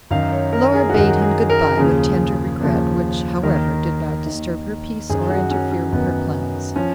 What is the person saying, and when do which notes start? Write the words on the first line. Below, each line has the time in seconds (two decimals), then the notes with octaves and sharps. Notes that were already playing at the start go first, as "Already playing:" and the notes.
Laura bade him good bye with tender regret, which, however, did not disturb her peace or interfere with her plans.
0.11 F#2 D#3 F5
0.32 C#5
0.53 A#4
0.74 G#4
0.89 F#4
0.94 F#2 D#3 G#4
1.22 G#4
1.50 A#4
1.77 D#2 C#3 F3 G#4
2.60 D#2 C#3 F3
3.43 D#2 D#3 A#4
4.26 D#2 D#3
5.10 F#2 D#3 G#4
5.30 F#4
5.51 C#4
5.71 C#4
5.92 F#2 D#3 B3
6.76 F3 C#4